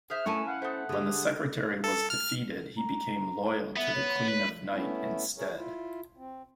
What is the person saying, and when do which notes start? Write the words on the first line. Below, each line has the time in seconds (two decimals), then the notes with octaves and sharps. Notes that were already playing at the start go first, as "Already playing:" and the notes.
When the secretary was defeated, he became loyal to the Queen of Night instead.
0.10 G#4 C5 E5 F6
0.26 A3 B3 C#4 E4 A#4 G#5 A5 C#6
0.47 F5 F#5
0.62 A3 B3 C5
0.89 D3 G4 G#4
1.84 A4
2.10 F6
2.77 A#5
3.76 B3 E5
3.95 C#5
4.28 B4
4.71 A3 B3 C#4 E4
5.38 G#4 A#4 C#5
5.55 E4 F4
6.17 C4